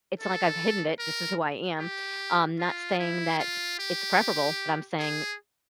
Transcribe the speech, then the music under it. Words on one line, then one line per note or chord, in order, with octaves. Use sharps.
it's like I've hidden it- this is who I am. I'm not stating that it's preferable, but I'm saying
A4
A#4
G4
F4
E4
F4
G4
G#4